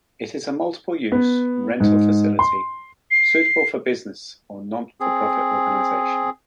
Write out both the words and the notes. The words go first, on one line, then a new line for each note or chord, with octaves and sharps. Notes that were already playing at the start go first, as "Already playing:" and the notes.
It is a multiple-use rental facility suitable for business or not-for-profit organization.
B3
G#2
C6
C7
C4 G#4